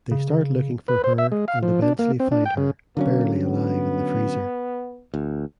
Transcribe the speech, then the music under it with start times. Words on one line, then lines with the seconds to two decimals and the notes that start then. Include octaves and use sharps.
They start looking for her and eventually find her barely alive in the freezer.
0.11 C#3
0.88 B4
1.04 C5
1.18 E5
1.32 G#3
1.48 F5
1.63 F3
1.82 D4
1.99 A#3
2.20 C4
2.32 D4
2.46 G5
2.57 C#3
2.97 D3 F#3 A#3 C#4
3.47 B3
5.14 D2